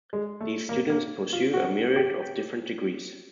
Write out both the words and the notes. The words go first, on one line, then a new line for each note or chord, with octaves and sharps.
These students pursue a myriad of different degrees.
G#3
A3
A#3
A#3
F4
F#4
G4